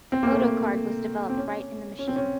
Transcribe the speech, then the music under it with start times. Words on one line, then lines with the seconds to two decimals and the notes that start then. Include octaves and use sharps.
The photo card was developed right in the machine.
0.12 C4
0.23 A#3
0.32 A3
0.42 A#3
1.30 C4
1.37 C#4
1.99 C#4
2.08 C4
2.16 C#4